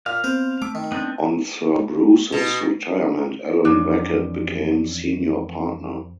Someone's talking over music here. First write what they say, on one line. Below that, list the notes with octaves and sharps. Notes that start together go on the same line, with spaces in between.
On Sir Bruce's retirement Allan Beckett became senior partner.
A#2 F5
B3 C4 C5
A3 D6
D#3
B3 C4 D4
B2
F2 E3 C#4 D4